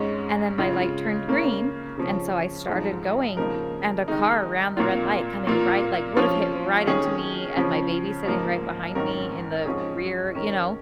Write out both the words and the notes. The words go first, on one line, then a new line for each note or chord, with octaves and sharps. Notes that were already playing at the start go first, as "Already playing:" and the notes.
and then my light turned green, and so I started going, and a car ran the red light coming right like, would have hit right into me and my baby sitting right behind me in the rear. You know?
Already playing: G#2 G#3 C#4
C#3 G#3 F4
C#3 A#3 C#4
C#3 F3 C#4
G#2 F3 G#3 D#4
C#3 F3 A#3 D#4 A#4
D#3 G#3 D#4
A#2 A#3 F4
A#2 A#3 F4
F3 C#4 F4
D#3 C#4 G#4
C#3 F3 C#4
G#2 F3 A#3
G#2 D#3 C#4 A#4
G#2 F3 C#4 G#4
D#3 C#4 A#4